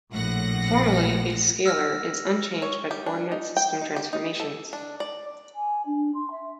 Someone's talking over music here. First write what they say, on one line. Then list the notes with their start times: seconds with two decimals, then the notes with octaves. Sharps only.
Formally, a scalar is unchanged by coordinate system transformations.
0.12 A#1 A2 F#5 A#6
1.66 E6 F6 A#6
2.62 C#5
2.91 G4
3.06 D4
3.32 D#4
3.57 G5
3.81 D#4
3.96 G4
4.13 D#4
4.40 A4
4.73 D4
5.00 D5
5.55 G#5
5.86 D4
6.14 C6
6.31 E5